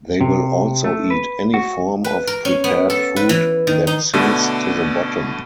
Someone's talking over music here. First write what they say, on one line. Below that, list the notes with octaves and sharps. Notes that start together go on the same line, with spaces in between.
They will also eat any form of prepared food that sinks to the bottom.
C3
A3
B4
F#4
B4
A#4
C#4
B3
A4
B4
E3
D#3
D#4
B2 D3 A3